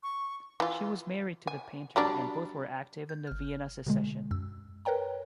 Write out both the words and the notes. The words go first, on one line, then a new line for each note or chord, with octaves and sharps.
She was married to the painter and both were active in the Vienna Secession.
C#6
E3 F4
G#5
F#3 G3 D4
G6
G1 F6
B2 D3 G#3
F#2 E6
A#4 B4 C#5 G5 A#5